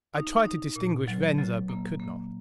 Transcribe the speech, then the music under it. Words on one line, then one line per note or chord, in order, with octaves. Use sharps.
I tried to distinguish Venza, but could not.
D#4
D#4
A#2
F#3
F#3
A#3
A#3